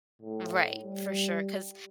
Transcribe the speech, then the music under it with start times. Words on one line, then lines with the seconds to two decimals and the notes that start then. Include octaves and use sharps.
Right. For sure, 'cause
0.22 A2
0.84 G3